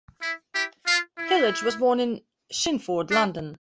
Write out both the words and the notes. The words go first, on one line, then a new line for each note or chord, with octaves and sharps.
Hillage was born in Chingford, London.
E4
E4 G4
F4
E4
D4